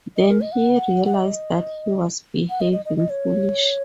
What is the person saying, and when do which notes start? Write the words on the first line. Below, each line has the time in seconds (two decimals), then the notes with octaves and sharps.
Then he realised that he was behaving foolishly.
0.17 D#5
0.29 A#4
0.41 D#5
0.53 F#5
1.06 F#5
1.15 D#5
2.50 F#5
2.61 D#5
2.73 D#5
2.85 D#5
2.97 D#5
3.10 C#5